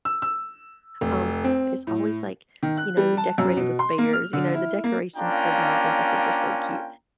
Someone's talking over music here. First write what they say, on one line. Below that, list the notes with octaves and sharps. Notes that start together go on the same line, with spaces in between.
um, it's always, like, you know, decorated with bears, you know, the decorations for mountains, I think, are so cute,
E6
E6
F1
C4
A2
D#3
F#6
G3
A5
F#2
B2
C6
A#3
F6
D3
E4
A#3
A#3 C#4 D4 F4 G5 A#5